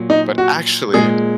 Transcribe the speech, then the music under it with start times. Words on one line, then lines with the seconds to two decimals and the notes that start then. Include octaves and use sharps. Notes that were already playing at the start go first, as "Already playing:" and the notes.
But, actually
Already playing: A#2 F#3
0.10 D#4
0.38 F#4
0.94 A#2 G#3 G#4